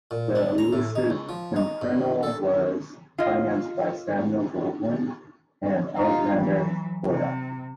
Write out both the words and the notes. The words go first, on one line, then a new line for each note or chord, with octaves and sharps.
"The Elusive Pimpernel" was financed by Samuel Goldwyn and Alexander Korda.
A#2
D4
A#5
A2
D#4
C#2
F3
D#4
G2
A4
F4 D#5
D#4 F4
E3 F#3
C3